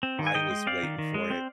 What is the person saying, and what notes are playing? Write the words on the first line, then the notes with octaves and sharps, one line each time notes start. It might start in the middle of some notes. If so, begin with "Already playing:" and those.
I was waiting for it.
C4
D#3
G#5
D#3 D#5 G5
G#3
C4 D5 F5
D#3
D#3
G#3
C4